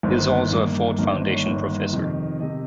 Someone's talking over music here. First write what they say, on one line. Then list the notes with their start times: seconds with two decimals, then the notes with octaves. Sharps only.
He is also a Ford Foundation Professor.
0.03 G1 G2 D#3 A#3 C5
0.51 G1 G2 D#3 A#3
0.98 G1 G2 D#3 A#3 A#4
1.14 C5
1.30 C#5
1.46 G1 G2 D#3 A#3
1.93 F2 C3 D#3
2.40 C3 D#3 D#5